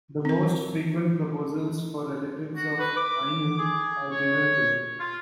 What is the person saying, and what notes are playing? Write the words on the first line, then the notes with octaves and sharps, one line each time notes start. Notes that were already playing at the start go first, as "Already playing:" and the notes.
The most frequent proposals for relatives of Ainu are given below.
C4 A#4
F#4
B4
D6
G#4
C#5
F4